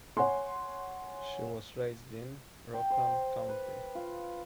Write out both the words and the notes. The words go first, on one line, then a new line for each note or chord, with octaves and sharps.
She was raised in Rockland County.
C#5 F#5 G#5 C6
G5
C5
B4
F4